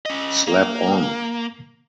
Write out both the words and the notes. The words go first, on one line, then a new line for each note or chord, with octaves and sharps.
Slap on!
C#4 D#5
A#3